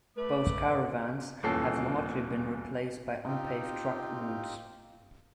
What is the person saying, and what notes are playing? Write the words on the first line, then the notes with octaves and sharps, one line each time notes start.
Both caravans have largely been replaced by unpaved truck routes.
A3 B4 D6
D#1 E2 A#2 C#4 A4 C7
C4 D#4 F4 G4